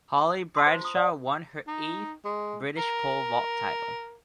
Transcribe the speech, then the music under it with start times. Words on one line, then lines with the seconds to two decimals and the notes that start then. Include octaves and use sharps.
Holly Bradshaw won her eighth British pole vault title.
0.55 A5 C6 D#6
0.67 C5
0.81 F4 D#6
0.95 D5 F#5
1.67 D#4
2.25 G#3
2.77 A#4